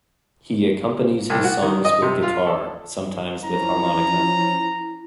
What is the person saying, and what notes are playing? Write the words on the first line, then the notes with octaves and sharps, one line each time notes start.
He accompanies his songs with guitar, sometimes with harmonica.
C2
F#4
D#3
D#5
C3
F4
A4
F3 C#4 E4 A#5